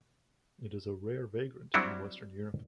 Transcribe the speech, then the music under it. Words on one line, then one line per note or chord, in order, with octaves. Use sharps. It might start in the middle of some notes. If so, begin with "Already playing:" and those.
It is a rare vagrant in western Europe.
F#3 G3 C4 D4 E4 F#4